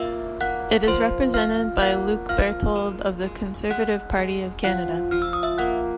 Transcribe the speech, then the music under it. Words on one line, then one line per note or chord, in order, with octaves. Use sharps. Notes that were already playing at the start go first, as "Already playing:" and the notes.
It is represented by Luc Berthold of the Conservative Party of Canada.
Already playing: A#3 F4 E5 E6
A#3 F#5 F#6
F3 C5 C6
F4 F5 F6
A#3 F#5 F#6
F3 F5 F6
G#3
G#3
G#3 F#5 F#6
G#3
F3 F#5 F#6
F3 F6
E6
D#6
E5 E6
A#3 F#5 F#6